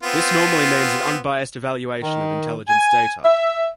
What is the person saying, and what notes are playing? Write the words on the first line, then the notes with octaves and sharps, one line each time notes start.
This normally means an "unbiased evaluation" of intelligence data.
B3 C4 F4
D#3
G#5
E5